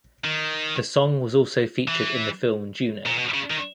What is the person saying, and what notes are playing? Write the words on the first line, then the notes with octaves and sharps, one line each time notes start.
The song was also featured in the film "Juno".
D#3
E3
A#2
B2
C#3
D#3